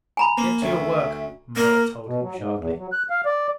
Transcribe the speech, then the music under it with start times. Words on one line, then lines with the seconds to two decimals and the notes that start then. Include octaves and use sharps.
"Get to your work," Moa told him sharply.
0.17 G#5 A#5 B5
0.38 A#3
0.62 D2 E5
1.56 A#3 A#4
2.06 B2
2.22 F#3
2.38 G#2
2.58 E2
2.78 F#3
2.92 F#6
3.10 F5
3.26 D5